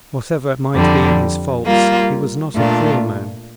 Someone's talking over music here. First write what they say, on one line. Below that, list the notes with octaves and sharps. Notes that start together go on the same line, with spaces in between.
Whatever might be his faults he was not a cruel man.
F2 D3 G3
G3 A#3 F4
A#2 A3 D4 F4